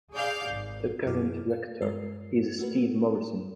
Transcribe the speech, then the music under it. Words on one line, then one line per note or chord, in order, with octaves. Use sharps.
The current Rector is Steve Morrison.
G#4 D5 F5 G6
G#1
F#2 B2 E4 G#4 D6 F6
F5
G2 G#3 A#4 C7
A3 A#3 F#4 A#4 B4